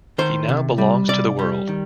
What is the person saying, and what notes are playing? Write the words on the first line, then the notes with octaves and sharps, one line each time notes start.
He now belongs to the world.
D#3 C5
C3
G3
C3 D5
G3
D#3